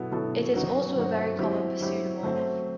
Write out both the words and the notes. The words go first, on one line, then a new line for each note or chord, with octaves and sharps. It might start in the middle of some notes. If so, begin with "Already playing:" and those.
It is also a very common pseudomorph.
Already playing: B2 F#3 B3 E4 A4
B2 F#3 B3 E4 A4
F#3 C4 D#4 F#4
F#3 C4 D#4 F#4
F#3 C4 E4 G4
F#3 C4 E4 G4
F#3 A3 C4